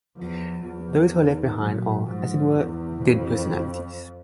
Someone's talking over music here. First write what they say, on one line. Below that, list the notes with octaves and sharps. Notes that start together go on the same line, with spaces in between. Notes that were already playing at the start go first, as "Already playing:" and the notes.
Those who are left behind are, as it were, dead personalities.
E2 F3
E2 F3
D#3
A#2 F#3
G#2 F3
E2 E3
F2